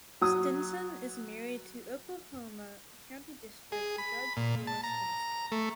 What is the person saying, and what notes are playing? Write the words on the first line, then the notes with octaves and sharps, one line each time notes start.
Stinson is married to Oklahoma County District Judge Sheila Stinson.
F#3 D#6
G#4
B5
A#2
A5
A#5
A3